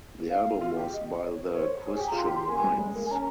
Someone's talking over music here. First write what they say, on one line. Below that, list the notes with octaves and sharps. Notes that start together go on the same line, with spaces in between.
The album was by the Christian Lights.
F5
F4
G4
D#5
C#5
C#5
A#4
C5 C#5
G#4 C#5
G#5
G4
A#5
F4 C6
G4 C6
C6
A#3 G#5
G3
G#3
A#3
G#5
C#4 A#5